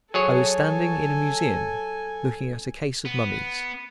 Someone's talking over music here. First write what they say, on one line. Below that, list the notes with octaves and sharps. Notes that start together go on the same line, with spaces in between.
I was standing in a museum looking at a case of mummies.
F#3 G#4 A4 C#5 G#5
B3